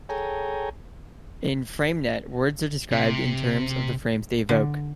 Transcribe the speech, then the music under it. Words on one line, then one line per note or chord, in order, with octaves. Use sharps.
In FrameNet, words are described in terms of the frames they evoke.
G#4 A4 C#5 G5 G#5 A#5
C3
D3